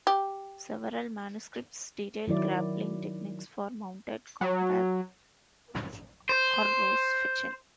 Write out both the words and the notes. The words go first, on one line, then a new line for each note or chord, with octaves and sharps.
Several manuscripts detail grappling techniques for mounted combat or "rossfechten".
G4
D#3 F#3 E4 D5
F#3
C5